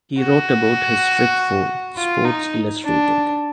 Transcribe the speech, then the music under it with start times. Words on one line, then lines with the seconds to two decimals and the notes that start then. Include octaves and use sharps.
He wrote about his trip for "Sports Illustrated".
0.19 F#4
1.96 F4
2.25 D#4
2.84 D4